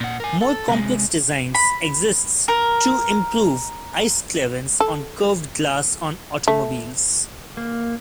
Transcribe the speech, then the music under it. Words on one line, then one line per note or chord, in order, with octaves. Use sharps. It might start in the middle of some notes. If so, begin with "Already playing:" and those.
More complex designs exists to improve ice clearance on curved glass on automobiles.
A#2 F#5
A#4 G#5
A4
C3 G#3
B5
A#4
A4
A3
A#3